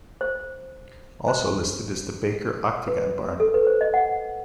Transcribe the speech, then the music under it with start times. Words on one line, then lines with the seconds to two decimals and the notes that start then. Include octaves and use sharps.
Also listed is the Baker Octagon Barn.
0.21 C5
1.28 C5
2.88 B4
3.40 A4
3.54 B4
3.67 C5
3.81 D#5
3.94 F#5